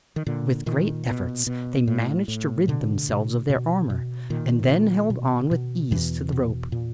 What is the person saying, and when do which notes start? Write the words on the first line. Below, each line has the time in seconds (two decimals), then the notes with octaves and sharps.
With great efforts they managed to rid themselves of their armour, and then held on with ease to the rope.
0.16 D#3
0.27 A#2 D3
0.66 A#2 D#3
1.07 B2
1.47 B2
1.88 A2
2.28 A2
2.68 B2 D3
3.09 B2
3.50 B2
3.90 B2
4.30 A#2 D#3
4.70 A#2
5.10 B2
5.51 B2
5.91 E2 B2 E3
6.32 B2
6.72 A#2